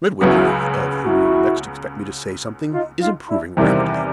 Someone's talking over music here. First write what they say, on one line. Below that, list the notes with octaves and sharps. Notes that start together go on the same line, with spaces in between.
Midwinter, of whom you will next expect me to say something, is improving rapidly.
C#2 C#3 F#3 B3 E4 F#4
E4 F#4
D#4 F4
D#4 F4
D4 E4
E2 C3 D#3 G3 A#3 C4